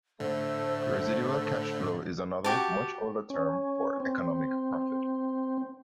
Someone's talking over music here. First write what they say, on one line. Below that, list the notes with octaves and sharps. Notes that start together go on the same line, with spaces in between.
Residual cash flow is another, much older term for economic profit.
A2 D3 A3 C5
F#4 G4 A5
C#4
C4